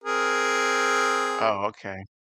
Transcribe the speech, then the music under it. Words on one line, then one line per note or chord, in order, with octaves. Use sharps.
Oh, okay.
C4 G#4 A#4